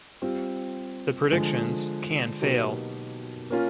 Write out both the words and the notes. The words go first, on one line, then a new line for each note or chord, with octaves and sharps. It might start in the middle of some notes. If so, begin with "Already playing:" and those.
The predictions can fail.
G3 C4 F4
D3 F3 G#3
B2 F#3 A#3 D#4 G4
A#3 C#4 F4